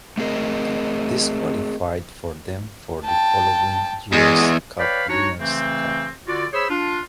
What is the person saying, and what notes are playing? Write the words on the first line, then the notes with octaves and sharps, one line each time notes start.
This qualified for them for the following year's Cup Winner's Cup.
A3 C4 G#4 A#4 D#5
G5 A5
E2 G#3
B4 C#5 D5 F5 G5 B5
D4 D#4 F#4 C#5
C#3 E3 A3 C4
D3 F4 F#4 D5
G#4 C5 C#5 B5 E6
D4 F4